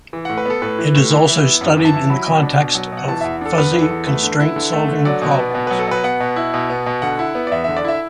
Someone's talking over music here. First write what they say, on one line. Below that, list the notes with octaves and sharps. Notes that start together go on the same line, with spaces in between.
It is also studied in the context of fuzzy constraint solving problems.
E3
A2 F#5
B4
B3 A4
A2 B4
E3
A2
E3
E4
B3
F#2
E3
A5
E4
F#3 B5
B2
D4
B2
F#3
B2
F#5
E3 A5
E2 E5
D4 A4
D5
E2 B4
E3
A4
E2
A3 B4
D3
E4
D3
A3
D3
F#3 D5
B2
B3
B2
F#3 B4
A4
B2 B4
B3 F#5
B2
E4
B2
B3
B2
D3 F#5
E4
B3
D5
E2 E5
D3 E5
D5
E4 E5